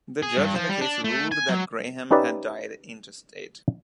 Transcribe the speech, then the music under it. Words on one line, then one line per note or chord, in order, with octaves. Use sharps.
The judge in the case ruled that Graham had died intestate.
G#4
G2
F3
G3
D4
A3
G#5
F#3
C#4 D#4 G4 B4 D5 E5